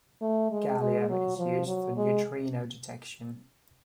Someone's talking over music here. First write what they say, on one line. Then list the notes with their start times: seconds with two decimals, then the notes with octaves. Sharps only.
Gallium is used for neutrino detection.
0.21 A3
0.51 G#3
0.80 G#3
1.09 F#3
1.38 F3
1.67 F#3
1.97 G#3